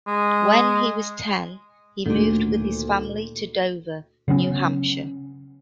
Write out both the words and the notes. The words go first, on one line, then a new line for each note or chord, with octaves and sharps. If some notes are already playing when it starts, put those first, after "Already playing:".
When he was ten, he moved with his family to Dover, New Hampshire.
G#3
D2 A#2 D#3
C#3 F#3 B3 C#4